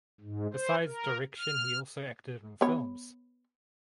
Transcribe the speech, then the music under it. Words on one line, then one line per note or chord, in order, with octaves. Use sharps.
Besides direction he also acted in films.
G#2
C5
A#4
F6
B3 C#5